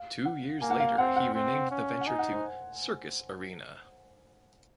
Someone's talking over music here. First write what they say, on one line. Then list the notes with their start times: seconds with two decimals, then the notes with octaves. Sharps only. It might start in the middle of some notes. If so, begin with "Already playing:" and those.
Two years later he renamed the venture to Circus Arena.
Already playing: F5
0.25 F#5
0.61 A#3 G#5
0.70 F#5
0.80 F5
0.98 C4 F#5
1.16 F#5
1.35 C4
1.71 C#4
2.01 F#5
2.07 D#4 G#5
2.19 F#5
2.32 C5